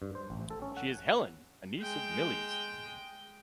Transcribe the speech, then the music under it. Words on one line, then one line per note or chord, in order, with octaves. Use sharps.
She is Helen, a niece of Millie’s.
G2
C5
A1
A4
C#4
F#5
G#3 G5